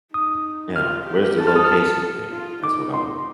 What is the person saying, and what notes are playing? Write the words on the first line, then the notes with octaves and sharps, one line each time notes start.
Yeah, where's the location thing? That's what I'm looking
D#4 D#6
F4 F6
G4
A4
F6
D#6
F6
F4
D#4 D6
C6